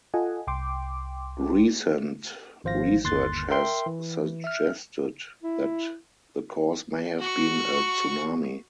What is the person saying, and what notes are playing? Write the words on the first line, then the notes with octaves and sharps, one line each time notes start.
Recent research has suggested that the cause may have been a tsunami.
F4 A4 D#5 F#5 G#5
C2 G5 C6 D6
G#1 F3 C5 F5 A#6
G1 D#2 C6 F#6 A6
A#4 E5 G5 C6
E3
E5 F6
E4
F#4 C#6